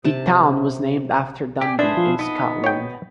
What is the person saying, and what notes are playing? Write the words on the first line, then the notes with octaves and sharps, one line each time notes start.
The town was named after Dundee, in Scotland.
C3 A5
G4 D5 G5 G#5
D4 G#4 A4 B4 C5 E5
F3 F4
B3 D#4 D#5
F#4 C#5 G5